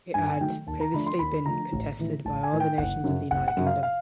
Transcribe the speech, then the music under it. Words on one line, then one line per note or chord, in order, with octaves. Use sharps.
It had previously been contested by all the nations of the United Kingdom.
G2 G#5
G#5
D#3 F#3 A3 G5
D#2 A5
A#5
D3 F3 A3 D4 B5
C6
D#2 B5
D3 F3 A3 D4 A#5
A1
A2 E3
A1 A5
G#5
A2 E3
G5
F#1 F#5
F#2 C#3 F#3
F#1 F#5
F#5
F#2 C#3 F#3
F5
F5